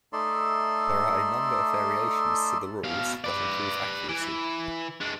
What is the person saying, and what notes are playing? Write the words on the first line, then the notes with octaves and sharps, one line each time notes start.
There are a number of variations to the rules that improve accuracy.
A3 D#4 A4 D5 E5 C6
B2 F5
B4 D5
E3
G#3 D4